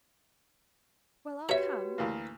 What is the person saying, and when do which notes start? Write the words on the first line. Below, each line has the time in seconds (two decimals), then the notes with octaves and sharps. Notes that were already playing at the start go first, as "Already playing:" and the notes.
Well, I'll come.
1.49 F#4 G4 B4 C#5 E5 A#5
1.98 D2 E3 A#3